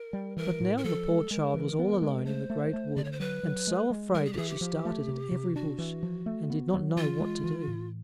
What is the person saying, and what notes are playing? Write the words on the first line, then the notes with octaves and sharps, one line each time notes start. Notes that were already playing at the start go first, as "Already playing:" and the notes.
But now the poor child was all alone in the great wood, and so afraid that she started at every bush, and did not know what to do.
Already playing: A#4
G3
E3 A#4
A2
A#4
F3 A4
G#3
G#3 A#4
E3
B3
G#3
A3 C5
A3
A3
D3 D5
C#5
C5
F#3 B4
F#3
G#3
G#3
G3 A#4
G#4
G4
E3 G#4
G4
F3
A3
C3
C3
D4 F#4
E3
F3
A3
B3
F#3
E3 F4
G#3
E3
A2